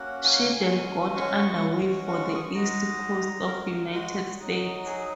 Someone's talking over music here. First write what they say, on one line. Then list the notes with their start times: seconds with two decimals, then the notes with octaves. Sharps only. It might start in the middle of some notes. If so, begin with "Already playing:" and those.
She then got underway for the east coast of the United States.
Already playing: A#3 C#4 F#4 F#5
0.24 G#5
0.70 G#3 C#4 F#4
1.16 C#6
1.62 G#3 C#4 F#4
2.08 C#6
2.35 D#6
2.45 C#6
2.55 G#3 D#4 F#4 A#5
3.47 G#3 F#4 A#4
3.93 F#4
4.40 F#3 D#4 F#4
4.86 G#4